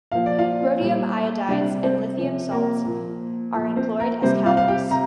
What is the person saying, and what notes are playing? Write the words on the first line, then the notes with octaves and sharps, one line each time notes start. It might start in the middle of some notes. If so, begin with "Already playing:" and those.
Rhodium iodides and lithium salts are employed as catalysts.
A#2 F3 F5
D5
F4 F5
A#2 G3
C3 G3 D4 D5
C4 C5
C3 F3
A#3 A#4
A#2 F3
A#2 F3
C4 C5
A#3 A#4
C3 G3 C4 C5
F4 F5
F5
G4 G5
C3 A#5